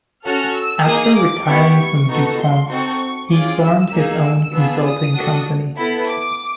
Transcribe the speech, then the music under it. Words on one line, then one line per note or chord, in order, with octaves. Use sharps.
After retiring from DuPont, he formed his own consulting company.
C#4 F#4 A4 F6
E6
A#3 D#4 G#4 D#6
D6
B3 E4 G4 C#6
B3 D#4 F#4 A4
C6
C4 D#4 F#4 A4 C#6
C#4 F4 G#4 D6
E6
A#3 D#4 G#4
E6
B3 D4 F4 G#4
D#6
D4 F#4 A4
B3 E4 A4
D6